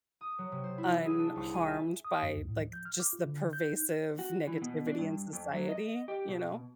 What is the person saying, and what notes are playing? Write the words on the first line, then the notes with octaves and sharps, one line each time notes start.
unharmed by, like, just the pervasive negativity in society, you know?
D#6
F#3
C3
C5
E4
B3
G#4
D4
C2
G#5
E5
D#6
F#2
D2
A2
F3
G6
F6
D6
F4
D3
G6
D#4
F#4
E3
B2
D4
G2
F2
F#3
D#5
G4
B2